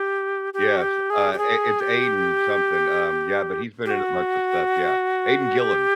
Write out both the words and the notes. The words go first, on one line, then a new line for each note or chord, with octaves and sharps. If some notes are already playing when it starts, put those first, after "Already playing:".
Yes, uh, i it's Aidan-something, um, yeah, but he's been in a bunch of stuff, yeah. Aidan Gillen.
Already playing: G4
G4
F#4
G4
G#4
G4
G#4
G4
G4
F#4
G4